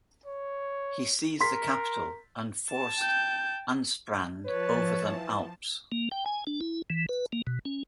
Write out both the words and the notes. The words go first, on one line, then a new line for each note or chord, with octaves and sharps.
He seized the capital and forced Ansprand over the Alps.
C#5
A#4 C6 B6
A5
G5 G6
F3 B4 C#5 A5
E3
A#3
G5
G#5
D4
E4
E3
B4
A#3
B2
C#4